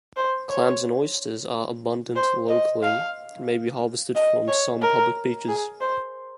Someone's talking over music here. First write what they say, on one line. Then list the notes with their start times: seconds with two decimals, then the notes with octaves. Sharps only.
Clams and Oysters are abundant locally and may be harvested from some public beaches.
0.17 C5
0.50 C#5
2.16 C5
2.49 D#5
2.83 F5
4.15 D#5
4.48 C#5
4.81 A#4
5.48 G#4
5.81 C5